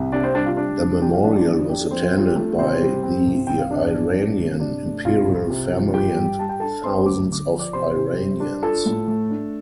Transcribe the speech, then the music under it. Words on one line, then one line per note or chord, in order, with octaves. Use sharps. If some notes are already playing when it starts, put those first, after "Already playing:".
The memorial was attended by the Iranian imperial family and thousands of Iranians.
Already playing: C2
C3 D4 D5
C4 C5
G3 D4 D5
F4 F5
D4 D5
C3
F3 G4 G5
F4 F5
A3 D4 D5
D4 D5
F2
F2 G4
A4
F3 C4 C5
D4 F4
G4
A3 F4 A4
C3 C4 C5
G3
C4
C2
C2 G5
F5
C3 D4 D5
F3
C4
C2
C3 D4 D5
A3
C2 F4 F5
C2
C3
F3
F4 G4 G5
G2
G3 A5
G5
D4 A4 A5
C4 C5 C6
D2 D6
D3 D6
F3
D5 D6
C3 C5 C6
C3
G3
D4
F4 A4 A5
A2
A3
D4